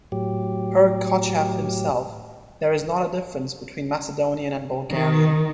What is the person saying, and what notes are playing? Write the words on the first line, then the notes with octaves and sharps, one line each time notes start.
Per Kotcheff himself, there is not a difference between Macedonian and Bulgarian.
A2 F#3 G4
D#3